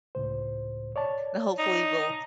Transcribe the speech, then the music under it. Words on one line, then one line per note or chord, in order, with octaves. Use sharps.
and, hopefully, we'll
C#2 A2 C5
C#5 D5 A5
D#4